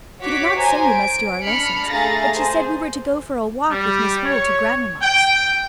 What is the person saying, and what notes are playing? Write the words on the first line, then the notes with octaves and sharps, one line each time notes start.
"She did not say we must do our lessons, but she said we were to go for a walk with Miss Hoole to grandmamma's."
F#4 C#5 D6 B6
C5 G#5 A#5
D7
D4 B5 F6 C#7
A3 G#4 F5 A#5 A6 A#6
G#4 C5
G3
C#5
G5